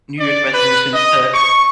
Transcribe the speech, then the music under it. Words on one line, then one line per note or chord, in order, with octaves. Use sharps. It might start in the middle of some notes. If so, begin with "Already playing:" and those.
New Year's resolutions to
D5
B4
D#5
C#6